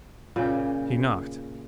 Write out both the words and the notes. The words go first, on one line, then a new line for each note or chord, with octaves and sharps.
He knocked.
A#2 C#3 G5